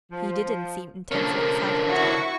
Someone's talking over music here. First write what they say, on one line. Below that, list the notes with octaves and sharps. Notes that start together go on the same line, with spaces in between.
He didn't seem intensely excited.
F3
D3 F3 A#3 C#4 D4 A#4
E4 F#4 C#6